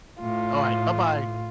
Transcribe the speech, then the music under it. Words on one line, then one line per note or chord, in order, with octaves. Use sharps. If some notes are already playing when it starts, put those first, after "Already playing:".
all right, buh-bye.
A2 F4